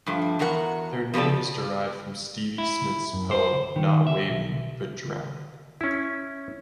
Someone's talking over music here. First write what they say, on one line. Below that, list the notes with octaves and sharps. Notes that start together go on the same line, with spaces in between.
Their name is derived from Stevie Smith's poem "Not Waving but Drowning".
G2 F3 A3
E2 E3 F#4 A#4 F#5
F3 B3 G4 A4 D5
E4
F#2
C5
D#3
E5
B1
C#4 E4